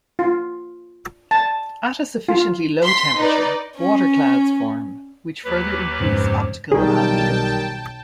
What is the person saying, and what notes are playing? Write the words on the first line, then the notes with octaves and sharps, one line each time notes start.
At a sufficiently low temperature, water clouds form, which further increase optical albedo.
F4
A5
F4
C6 B6
D#4 B4 D5
C#4
D#2 F#3 G4 B4
F2 G#2 C#3 C5
B1 D#3 G3 G#4 G5 A5